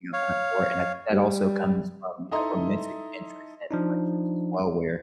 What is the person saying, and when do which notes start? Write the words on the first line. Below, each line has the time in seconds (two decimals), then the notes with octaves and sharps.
you know, that sort, and I think that also comes from, you know, romantic interests and friendships as well, where,
0.13 C#5 F5
1.11 G3
2.31 D#4 E4 A4 D#5 A#5 C6
3.71 F3 D4 D#4